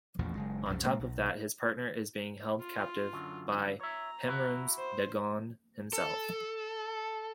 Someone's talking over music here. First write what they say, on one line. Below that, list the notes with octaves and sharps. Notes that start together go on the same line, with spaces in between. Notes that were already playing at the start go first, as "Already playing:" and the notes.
On top of that, his partner is being held captive by Mehrunes Dagon himself.
A1 E2 A#2 F3
F#1 G#3
C2 F#2 C3 F3
A#2 G#3 A#3
B1
F4
F#2 D3 F#3
C#5 E5 A#5
E4 F#4
C5
A4